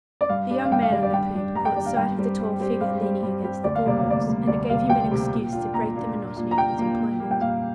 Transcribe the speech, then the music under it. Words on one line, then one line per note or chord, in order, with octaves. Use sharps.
The young man on the poop caught sight of the tall figure leaning against the bulwarks, and it gave him an excuse to break the monotony of his employment.
D5
G2 F5
G3 D4
F5
G2 G5
F5
G3 D4 D5
D5
G2 G5
G3 D4
G2 A#5
G5
G3 D4 D5
F5
G2 G5
G3 C4 G4
G2
G3 C4 G4
G2 F5
G3 C4 G4
G2
G3 C4 G4
D2 D5
F5
C3 G3 A#3 D5
F5
D2 D5
C3 G3 A#3
D2 D5
C3 G3 A#3 F5
D2 G5
C3 G3 A#3
A#2
A#3 D4 F4
A#2 A#5
A#3 D4 F4
A#2
A#3 D4 F4
A#5
A#2 G5
A#3 D4 F4
A#2
G3 A#3
G5
A#2 F5